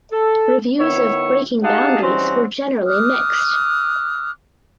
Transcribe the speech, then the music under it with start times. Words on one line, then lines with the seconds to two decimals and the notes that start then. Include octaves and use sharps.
Reviews of "Breaking Boundaries" were generally mixed.
0.12 A4
0.78 D#3 B3 E4 C#5
1.63 D#4 G4 G#4 F5 F#5 A5
2.01 E3 G3 C4 C#4 D#4 F#4
2.85 D6 D#6 F6 F#6